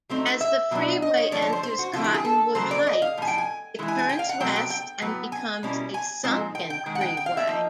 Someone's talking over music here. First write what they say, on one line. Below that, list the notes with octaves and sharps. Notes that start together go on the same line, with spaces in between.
As the freeway enters Cottonwood Heights, it turns west and becomes a sunken freeway.
F#3 A3 C4 D#4
E5
B2 F#3 B3 D4
D#5
C#5
D3 F3 A3 D5
C#5
C5
C5
F#4
D3 F3 A3 C4 E4 F4
G4
G#4
A4
C#3 F#3 A#3 C5
D5
D#5
F5
A2 F3 G#5
G5
G#5
E3 G#3 E4
G#5
G#5
G5
F5
F#5
B2 F#3 A3 C4 G5
G5
G5
A2 F#3 B3
G#5
B2 G3 A#3 C#4 E4
G#5
A#2 F3 G#3 C4 D#4
G5
G5
D#3 G#3
F#5
G5
G5
F5
E5
F3 A#3 D#4